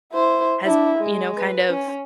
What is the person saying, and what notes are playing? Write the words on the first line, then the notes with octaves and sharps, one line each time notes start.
has, you know, kind of
E4 C5
D4 E4
G#3
B4
C#4